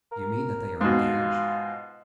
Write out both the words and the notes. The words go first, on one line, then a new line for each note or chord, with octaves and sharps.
"Do you mean that they are engaged?"
A#4
G#2 B2 F4